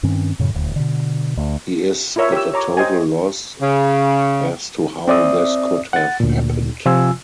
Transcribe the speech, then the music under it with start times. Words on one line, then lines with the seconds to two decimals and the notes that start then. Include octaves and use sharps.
He is at a total loss as to how this could have happened.
0.03 G2 D#3 C4 C#4
0.39 F#2 A2 C#3
0.54 D#1 D2
0.76 B2 D3
1.37 D2
2.16 E4 F4 A#4 C#5 E5
2.32 G4 E6
2.53 C#5 A#5 D6
2.77 C5 D#5 G5 G#5
3.61 C#3
5.08 C4 D5 E5 D#6
5.93 F#5 A6
6.20 D2 A#2
6.86 C3 F3 F4 G#5 E6